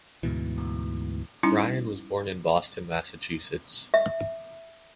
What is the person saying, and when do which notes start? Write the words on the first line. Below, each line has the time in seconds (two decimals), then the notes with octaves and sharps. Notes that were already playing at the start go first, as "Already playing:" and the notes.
Ryan was born in Boston, Massachusetts.
0.23 D2 G#2 B2 E3
1.43 G3 C#4 D#4 E4
3.94 E5